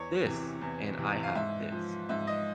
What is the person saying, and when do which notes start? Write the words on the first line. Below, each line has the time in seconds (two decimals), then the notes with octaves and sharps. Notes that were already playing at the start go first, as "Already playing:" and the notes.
this, and I have this.
Already playing: E2 C#5
0.24 C3 E3
0.61 E2
0.98 C3 E3
1.23 F5
1.35 G#2 E5
1.72 F3
2.09 G#2 E5
2.27 D#5